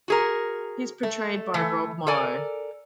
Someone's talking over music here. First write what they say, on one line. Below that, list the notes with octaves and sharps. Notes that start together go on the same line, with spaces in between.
He is portrayed by Rob Morrow.
F#4 G#4 A#4
A3
E3 A3
A4 A#4 D5 G#5